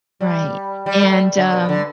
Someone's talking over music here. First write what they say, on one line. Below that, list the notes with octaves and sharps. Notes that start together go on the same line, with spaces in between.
Right. And, um,
G3
G3
A3
D3
B2
D3